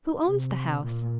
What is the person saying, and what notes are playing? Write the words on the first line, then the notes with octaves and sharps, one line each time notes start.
"Who owns the house?"
C3
A#2